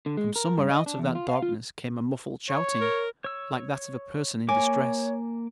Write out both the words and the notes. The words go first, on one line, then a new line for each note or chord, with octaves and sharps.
From somewhere out of that darkness came a muffled shouting, like that of a person in distress.
D3
G#3
A#4
G2
D#5
D4
E2
F4
F5
F4
C#5
A#4
C#5 E6
A#3 C#5 G#5 D6